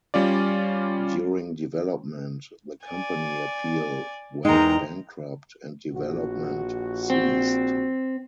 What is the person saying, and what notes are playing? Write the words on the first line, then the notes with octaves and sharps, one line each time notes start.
During development, the company Appeal went bankrupt and development ceased.
G3 C#4 F4 D5
D5 G#5
E2 G#3 D#4 A#4 G5 A#5
A#1 F#4
C4